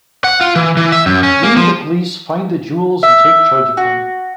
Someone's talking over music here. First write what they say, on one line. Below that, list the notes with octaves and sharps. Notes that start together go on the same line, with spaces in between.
We, the police, find the jewels and take charge of them.
F#5
F4
E3
E3
E5
F#2
C#4
A#3
F3
E5
F#4